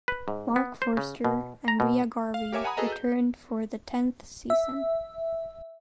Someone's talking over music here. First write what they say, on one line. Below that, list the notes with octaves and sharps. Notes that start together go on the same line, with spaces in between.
Mark Forster and Rea Garvey returned for the tenth season.
B4
G#2
B3
C5
C#3
B2
A#5
B2
F5
G4 A#4 C#5 E5 G#5 D6
F#5 G#5 A#5 B5 D#6
F#4 G#4 A4 B4 D#5 A#5
G6
E5